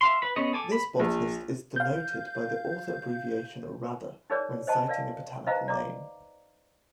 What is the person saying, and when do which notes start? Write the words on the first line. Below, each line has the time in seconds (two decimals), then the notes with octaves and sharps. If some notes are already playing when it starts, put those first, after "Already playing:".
This botanist is denoted by the author abbreviation Radde when citing a botanical name.
0.01 E5 F5 C6
0.22 B4 B5
0.36 B3 C#4 G#4 D#5
0.53 A4 G#5 D6
0.72 B5
1.00 A#1
1.76 F5 G6
4.30 D#4 G#4 A#4 C#5 D5
4.67 C5 D#5 G#5 A5
4.88 A#4 D5 F5
5.47 D#4 B4 C5 D#5 F5 A#5
5.68 D5 A#5 D6